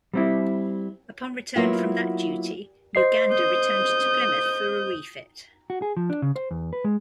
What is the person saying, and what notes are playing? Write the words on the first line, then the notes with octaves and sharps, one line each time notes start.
Upon return from that duty "Uganda" returned to Plymouth for a refit.
G3 C4 E4
F#3 A#3 B3 E4 F4 F5
C5 D#5 C7
D#6 G6
F#4
G#4
F3
D4
C#3
C5
E2
B4
G#3